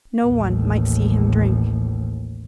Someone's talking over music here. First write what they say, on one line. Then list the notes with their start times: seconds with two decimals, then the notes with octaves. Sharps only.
No one might see him drink.
0.25 A1 D#2